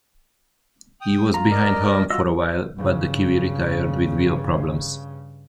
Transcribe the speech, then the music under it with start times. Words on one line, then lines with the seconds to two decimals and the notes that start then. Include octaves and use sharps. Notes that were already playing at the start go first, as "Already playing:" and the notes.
He was behind Hulme for a while, but the Kiwi retired with wheel problems.
1.01 G5 D#6
1.34 F4 A#5
1.50 A#4 D5 D#5
2.10 F4 F#4 D#5 E6
2.77 G2 C#3